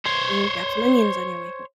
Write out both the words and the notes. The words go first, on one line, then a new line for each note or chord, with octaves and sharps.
"Can you grab some onions on your way home?"
C5 C#5